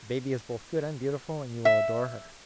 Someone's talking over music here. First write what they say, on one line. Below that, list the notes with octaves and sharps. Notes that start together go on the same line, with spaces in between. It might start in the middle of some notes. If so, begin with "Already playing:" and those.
The baby is both good and beautiful, and you will adore her.
E5